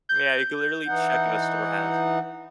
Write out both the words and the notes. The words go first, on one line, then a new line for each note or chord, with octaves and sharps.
Yeah, you can literally check if a store has it.
G6
E3 D#4 F#5